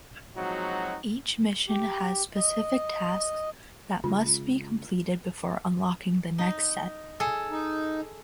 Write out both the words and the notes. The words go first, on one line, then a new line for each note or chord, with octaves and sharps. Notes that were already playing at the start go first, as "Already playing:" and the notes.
Each mission has specific tasks that must be completed before unlocking the next set.
F3 F#3 G#3 C4 D#4 F#4
G4
D#5
C#3 G#3 F4
D#4
G#4 A4
D#4